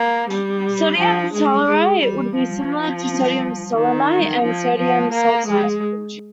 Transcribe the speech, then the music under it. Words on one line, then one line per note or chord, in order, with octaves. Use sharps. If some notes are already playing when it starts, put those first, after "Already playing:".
Sodium tellurite would be similar to sodium selenite and sodium sulfite.
Already playing: A#3
G3
F3
G#3
G#3
G3
F3
D#3
F3
F3
A#3
G#3